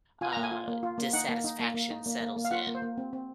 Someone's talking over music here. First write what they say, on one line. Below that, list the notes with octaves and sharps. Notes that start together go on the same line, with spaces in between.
uh, dissatisfaction settles in,
F4 G#5
A#3 A#5
G#5
F4
A#3
F4
A#3
D#4 F#5
A#3
D#4
A#3
A#3
D#4
A#3
A#3
A#3
F5
F4 F#5
A#3
C5
A#3
C4
C4